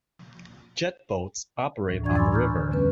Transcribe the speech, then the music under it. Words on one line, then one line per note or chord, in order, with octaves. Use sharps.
Jetboats operate on the river.
D2 A2 E3
F#2 D4 D5 C#6 G#6
G#5 B5 C6 D6 E6 A6
A#5 C#6 F6 G6
D3
F2 G3 A3 B3 C#4 B4